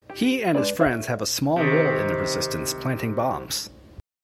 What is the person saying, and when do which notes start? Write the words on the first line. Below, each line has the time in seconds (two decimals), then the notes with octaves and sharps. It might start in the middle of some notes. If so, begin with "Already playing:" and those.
He and his friends have a small role in the Resistance planting bombs.
0.10 G4
0.55 G#3 B3 D4 B4 D5
0.80 F#4 A4 C#5 E5 F5
1.56 C3 D#3